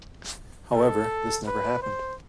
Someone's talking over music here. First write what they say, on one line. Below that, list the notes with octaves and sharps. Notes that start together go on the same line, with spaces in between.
However, this never happened.
A4
B4
C5